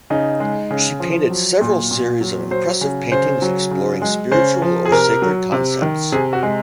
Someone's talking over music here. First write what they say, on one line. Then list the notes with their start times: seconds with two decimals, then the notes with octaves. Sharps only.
She painted "several series of impressive paintings exploring spiritual or sacred concepts".
0.10 C#3 D#4
0.40 G#3
0.71 C#3
1.00 F3
1.30 F#3
1.61 A#2
1.91 A#2
2.21 F#3
2.51 F#3 C5
2.81 C#3
3.12 C#3 C5
3.42 F#3
3.71 C#3
4.02 G#3
4.31 C#3 C5
4.62 F3
4.85 G#4
4.91 C3 A#4
5.22 F#3
5.52 C3
5.82 D#3
6.12 C3 G#4
6.33 F#4
6.43 G#3